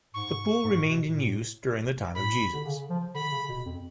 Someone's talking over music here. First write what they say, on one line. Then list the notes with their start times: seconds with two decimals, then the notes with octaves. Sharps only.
The pool remained in use during the time of Jesus.
0.14 G#2 C#6
0.64 G#2
0.77 A2
0.89 B2
1.02 A2
2.15 A2 B5
2.53 D3
2.66 C#3
2.90 F3
3.15 D3 B5
3.32 C#3
3.49 B2
3.65 F2